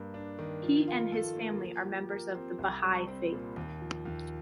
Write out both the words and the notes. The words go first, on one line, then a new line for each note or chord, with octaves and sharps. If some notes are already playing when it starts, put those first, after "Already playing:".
He and his family are members of the Baha'i Faith.
Already playing: G2 A#3
D4
D#3
F3
F4
A4
A#3
F3
G4
A#4
C4
C2
G3
C4
A#2
D#2
F3
D#2